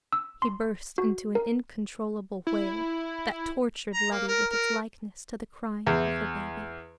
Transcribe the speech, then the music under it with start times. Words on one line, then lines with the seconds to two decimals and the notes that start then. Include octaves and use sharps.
He burst into an incontrollable wail that tortured Letty with its likeness to the crying of her baby.
0.13 E6
0.42 C6
0.98 F#4
1.35 A#4
2.47 E4
3.94 A#5
4.12 A#3
4.28 A#4
4.51 A#4
5.87 E2